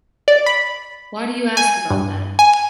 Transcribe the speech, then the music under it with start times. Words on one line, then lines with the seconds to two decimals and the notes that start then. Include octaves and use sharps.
Why do you ask about that?
0.28 D5
0.46 B5
1.57 G#5
1.90 G2
2.39 G#5